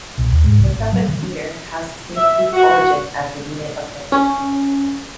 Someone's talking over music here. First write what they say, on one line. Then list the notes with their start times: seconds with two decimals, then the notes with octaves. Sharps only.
The suffix "-meter" has the same Greek origin as the unit of length.
0.18 B1
0.30 D#2
0.44 G#2
0.57 C2
0.71 G#1
0.93 F#3
1.08 D#3
1.23 D4
2.15 E5
2.53 F#4
4.12 C#4